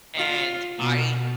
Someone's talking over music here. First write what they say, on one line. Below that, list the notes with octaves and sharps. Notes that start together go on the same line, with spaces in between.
And I
F4
B2